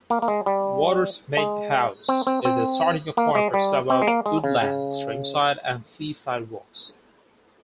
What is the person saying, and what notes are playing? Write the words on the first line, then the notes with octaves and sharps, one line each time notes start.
Watersmeet House is the starting-off point for some of woodland, streamside and seaside walks.
A#3
A#3
G#3
G3
G#3
C4
C4
C4
A#3
G#3
G3
C4
G#3
A#3
G#3
C#3
C#3